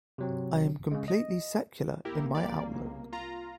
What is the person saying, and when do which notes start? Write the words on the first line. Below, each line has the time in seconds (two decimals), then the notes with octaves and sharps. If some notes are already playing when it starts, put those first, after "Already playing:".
I am completely secular in my outlook.
0.18 C3 F#3 C4
0.91 C#3 G#3
1.08 D#5
2.05 C2 A#3 E4 G4 A#4
2.35 G4 D5
2.74 C#2
3.13 F4 A#5